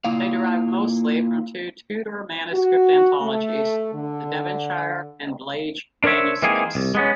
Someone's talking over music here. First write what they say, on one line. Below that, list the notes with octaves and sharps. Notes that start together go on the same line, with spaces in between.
They derive mostly from two Tudor manuscript anthologies, the Devonshire and Blage manuscripts.
A#3 E4 F4 F5
F#4
A3
D3
D4 A#4 C5 C#5 E5
E3 G#3 A#3 C4 D#4 G#4
C2
G#3 B3 C#4